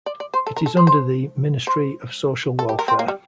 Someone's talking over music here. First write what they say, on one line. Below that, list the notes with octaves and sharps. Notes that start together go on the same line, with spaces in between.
It is under the Ministry of Social Welfare.
D5
D5
C5
A4
A#4
A4
C5
C5
C5
A4
G4
A#4
C4
A#3
G3